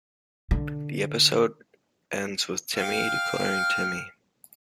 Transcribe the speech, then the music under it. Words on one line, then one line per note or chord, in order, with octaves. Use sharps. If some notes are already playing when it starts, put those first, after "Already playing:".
The episode ends with Timmy declaring Timmy!
D3
F5 G5 F6